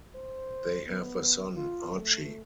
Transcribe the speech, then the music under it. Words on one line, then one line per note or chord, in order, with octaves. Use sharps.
They have a son, Archie.
C5
B3
F4
A3